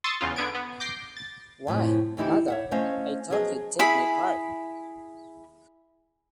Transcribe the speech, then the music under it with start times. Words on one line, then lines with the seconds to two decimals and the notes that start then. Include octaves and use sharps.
Why, mother, I thought you'd take my part!
0.04 C6 C#6 D#6 E6 A6
0.21 E2 C#3 F4
0.36 D3 B3 G#6 D7
0.55 B3
0.80 D6 G6 A#6 C7
1.17 A6
1.67 F#2 A2 C3 F3
2.17 D2 E3 D#4 E4 G4
2.48 C#5 E5 F#5
2.71 A3 C#4 C5 D#5 F5
3.30 F3 F#3 B3 G#4 D#5
3.79 E4 G#4 B5